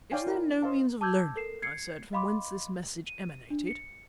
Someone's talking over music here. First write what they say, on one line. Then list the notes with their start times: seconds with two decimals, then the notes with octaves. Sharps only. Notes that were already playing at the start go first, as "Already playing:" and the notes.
"Is there no means of learning," I said, "from whence this message emanated?"
0.12 C#5 D5 F5 G5 G#5
0.27 E4 A#4
0.62 C5 D#5 F5 A5
1.01 A5 D6 E6 G6 G#6
1.36 A4 A#4 C7 E7
1.62 G#6 C7 C#7
2.13 D#5 F5 B5 C6 D6
3.07 D#7
3.50 D4
3.67 C#7